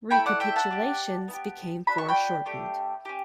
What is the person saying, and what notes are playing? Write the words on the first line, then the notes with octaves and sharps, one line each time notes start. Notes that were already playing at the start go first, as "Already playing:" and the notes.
Recapitulations became foreshortened.
A3 E4 A4 G5 B5
D5 F#5
E5 G5
F#5 A5
D4 G4
B3 E4
G4
D4 F#4 A4 B5
C#6
G5 B5
A3 D4 G4
C#4 G4